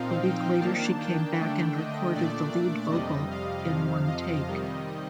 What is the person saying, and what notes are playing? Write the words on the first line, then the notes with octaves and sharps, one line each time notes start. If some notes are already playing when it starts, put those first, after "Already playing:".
A week later she came back and recorded the lead vocal in one take.
Already playing: A#2 F3 C4 D#4 F5
G5
D#3 A#3 D4 A5
G5
D3 A3 D4
D#5
A#2 A3 D4 D5
F2 C3 G3 D#5
F5
F2 C3 F3
D#5
C3 D#3 G3